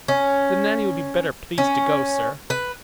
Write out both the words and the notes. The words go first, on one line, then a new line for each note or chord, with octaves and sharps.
"Then Nanny would be better pleased to go, sir."
C#4
C#4
B4